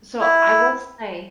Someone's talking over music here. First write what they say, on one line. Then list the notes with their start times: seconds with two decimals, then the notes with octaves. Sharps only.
So, I will say
0.21 E4